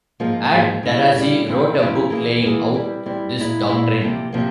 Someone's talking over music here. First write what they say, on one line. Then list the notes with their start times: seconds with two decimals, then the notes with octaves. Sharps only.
Ad-Darazi wrote a book laying out this doctrine.
0.20 G#2 F3 A#3 F4 G#4
0.52 G#2 F3 A#3 F4 G#4
0.83 C#3 G3 C#4 E4
1.15 C#3 G3 C#4 E4
1.47 C#3 F3 C4 E4
1.79 C#3 F3 C4 E4
2.10 E3 A#3 E4 G#4
2.42 E3 A#3 E4 G#4
2.74 G3 C4 E4
3.06 G3 C4 E4
3.38 A#2 G#3 E4
3.69 A#2 G#3 E4
4.01 C3 F3 A#3
4.33 C3 F3 A#3